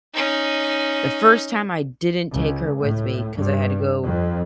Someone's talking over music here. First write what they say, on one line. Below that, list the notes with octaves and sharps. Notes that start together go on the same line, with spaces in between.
The first time I didn't take her with me 'cause I had to go,
C#4 D#4
C#2
A2
G2
F2